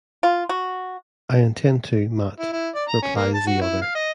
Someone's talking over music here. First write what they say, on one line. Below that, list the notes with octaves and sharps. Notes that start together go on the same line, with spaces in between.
"I intend to, Mat," replies the other.
F4
F#4
E4
E4
D5
A#5
C#4
A#3
A5
F#4
E4
F5
D#5